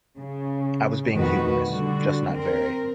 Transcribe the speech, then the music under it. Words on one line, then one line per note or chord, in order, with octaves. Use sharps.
I was being humorous. Just not very.
C#3
F2 B2 D#3 A3 F#4 B4
D3 G3 F#4
C4 A#4